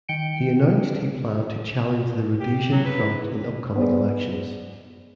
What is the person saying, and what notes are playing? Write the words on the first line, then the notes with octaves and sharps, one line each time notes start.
He announced he planned to challenge The Rhodesian Front in upcoming elections.
D#3 G5 C#7 D7
G4
F#3
G2 B4
E4
B3 G#4 C5 D5